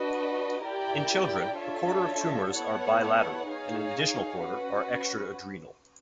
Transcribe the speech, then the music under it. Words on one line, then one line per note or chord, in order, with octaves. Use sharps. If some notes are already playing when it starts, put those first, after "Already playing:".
In children, a quarter of tumors are bilateral, and an additional quarter are extra-adrenal.
Already playing: D4 F#4 B4 D#5
E4 G4 A#4 D5 G5
D4 F4 A4 C#5 E5
B3 E4 A4 C#5 F#5
D#4 G#4 C#5 F5
C#4 F#4 B4